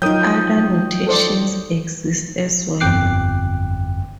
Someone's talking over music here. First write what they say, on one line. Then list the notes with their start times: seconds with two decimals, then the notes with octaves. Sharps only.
Other notations exist as well.
0.02 D#3 F3 F#3 D#4 A#4 G5 D#6 G6
1.07 A4 C5 D5
2.80 G1 F2 G5 D6 F#6 C7